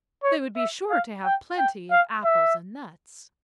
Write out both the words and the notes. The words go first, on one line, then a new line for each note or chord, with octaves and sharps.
They would be sure to have plenty of apples and nuts.
C#5
E5
F5
G5
G5
F5
E5